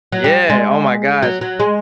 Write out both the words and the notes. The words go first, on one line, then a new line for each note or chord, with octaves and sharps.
Yeah! Oh, my gosh.
F#3
G3
G#3
F#3
F#3
G#3